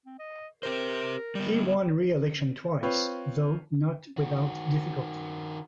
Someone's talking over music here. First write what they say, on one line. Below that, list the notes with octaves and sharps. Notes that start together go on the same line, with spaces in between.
He won re-election twice, though not without difficulty.
C4
D#5
C4 G4 A#4 C5
G3 B3
C4 F4 B4 C#5
D#3 F#4